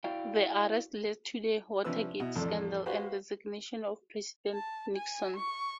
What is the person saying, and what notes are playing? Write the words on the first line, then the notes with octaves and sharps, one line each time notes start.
The arrests led to the Watergate scandal and resignation of President Nixon.
E4 F#4 D5 F5 G5
C3 F3 C#4 D4 B4 E6
B2 E4
A1 F2 A3 D5 E6
F#4 G4 B4 C5 F5
A5
G#5
C#6